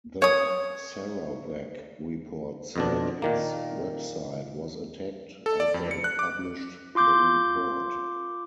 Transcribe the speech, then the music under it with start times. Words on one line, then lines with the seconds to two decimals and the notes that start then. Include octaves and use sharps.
The "Sarawak Report" said its website was attacked after it published the report.
0.22 C#5 D#6
2.76 F2 B2 D4
3.22 A#2 D#3 A#3
5.46 A4
5.60 D5
5.74 F2
5.91 C#7
6.04 F#6
6.19 D6
6.95 F4 C6 D6 G6